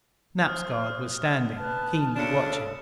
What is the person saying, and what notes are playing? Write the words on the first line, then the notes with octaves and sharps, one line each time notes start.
Snap's guard was standing, keenly watching.
C5 D#6 F6 F#6
B4 A5
D2 C#3 D4 A4 C#7 E7